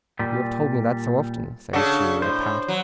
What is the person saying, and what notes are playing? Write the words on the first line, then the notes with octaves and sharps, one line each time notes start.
"You have told me that so often," says she, with a pout.
A#2 G3
C#3 D4 F#4 A4
A2 C5
F#3